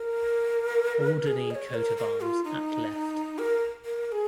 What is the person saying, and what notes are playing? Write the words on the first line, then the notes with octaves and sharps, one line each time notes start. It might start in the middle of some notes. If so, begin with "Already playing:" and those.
Alderney coat of arms at left.
Already playing: A#4
G#4
D#5
C#5
A#4
A#4
F4
D#4
A#4
A#4
A#4
G#4